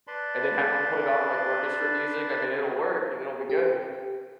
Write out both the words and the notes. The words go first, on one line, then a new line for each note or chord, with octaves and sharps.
And then have him put it on like orchestra music, I mean, it'll work, it'll be good.
B4 D5 A5 B5 C6
G4